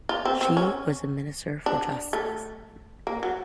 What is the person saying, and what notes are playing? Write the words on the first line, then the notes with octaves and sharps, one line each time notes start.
She was the Minister for Justice.
F4
C4
C4
C#4
D4
A3
A#3
F#3